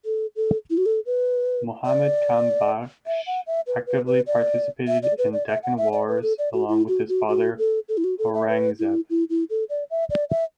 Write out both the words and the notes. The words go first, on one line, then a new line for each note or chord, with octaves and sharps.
Muhammad Kam Bakhsh actively participated in Deccan wars along with his father Aurangzeb.
A4
A4
E4
F#4
A4
B4
D5
E5
F#5
E5
B4
B4
B4
D5
E5
D5
B4
D5
E5
F#5
E5
D5
B4
A4
D5
F#4
E4
F#4
F#4
F#4
A4
A4
E4
F#4
A4
E5
B4
E4
E4
E4
A4
D5
E5
D5
E5